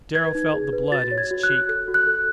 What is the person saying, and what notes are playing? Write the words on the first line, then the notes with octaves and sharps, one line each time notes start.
Darrow felt the blood in his cheek.
B4 G#6
D#4
G#4
B4
F#4 A6
C#5
G#6
F#4
F#6
F#4
A4
F#4
F#6
A4